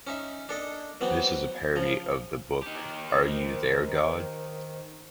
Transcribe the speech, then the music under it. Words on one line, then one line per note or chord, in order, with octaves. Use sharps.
This is a parody of the book Are You There God?
C#4 D#4 E5
D4 A4 D#5
E3 F#3 B3 C4
C#3 F3
D#3 G4
A#4 C5